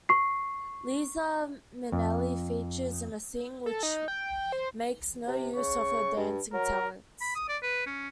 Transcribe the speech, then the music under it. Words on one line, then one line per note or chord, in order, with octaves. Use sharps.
Liza Minnelli features in a scene which makes no use of her dancing talents.
C#6 C7
F2
A4
D#4
G5
C5
C3
C#3 C#6
G2
F#3 A#4
B5
D#6
D5
B4
C#4